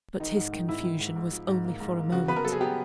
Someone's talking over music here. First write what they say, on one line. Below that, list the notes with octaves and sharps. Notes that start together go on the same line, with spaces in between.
But his confusion was only for a moment.
D#3 D#4
G#2
D#3
G#2 E4
D#3
G#2
G#2
F3
G#2
A#3
G#2
A#3
C#3 F#4
B3 B4
A#4
F#3 A4
G#4
B3 G4